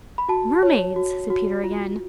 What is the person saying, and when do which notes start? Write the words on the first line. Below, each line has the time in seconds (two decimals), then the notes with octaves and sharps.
"Mermaids!" said Peter again.
0.18 B5
0.29 F#4 A5
0.63 C#5
0.96 F#4
1.30 F#4
1.64 F4